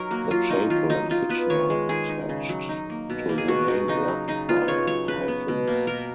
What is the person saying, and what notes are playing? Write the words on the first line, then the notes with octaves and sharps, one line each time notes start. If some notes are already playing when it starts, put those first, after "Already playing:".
The chapel and kitchen are attached to the main block by hyphens.
Already playing: F#3 D#4 A#4 C#5
A#3 F#4
F#3 F4
C#4 D#4
D#3 F4
F#3 D#4
D#4 F4
B3 B4
D#3 C#5
G#3
D#3 G#4
D#4
C#3
F#3
D#4
A#3
B2
A#3
G#4
B2 F#4
D#4 F#4
C#3 D#4
F#3
C#3 D#4
B3 F4
C#3 C#5
F#3 C#5
C#3 B4
B3
B2
A#3
B2 A#4